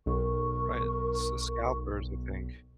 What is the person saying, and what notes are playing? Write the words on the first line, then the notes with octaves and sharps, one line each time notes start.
Right, s scalpers, I think.
B1 A#4 C#6